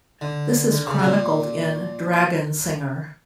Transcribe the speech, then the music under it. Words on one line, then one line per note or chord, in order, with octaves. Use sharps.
This is chronicled in "Dragonsinger".
D3
D3
C#3
C#3
A#2